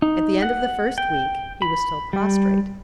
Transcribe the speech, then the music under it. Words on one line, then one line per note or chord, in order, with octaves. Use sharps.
At the end of the first week he was still prostrate.
D#4
F#5
G5
B5
G3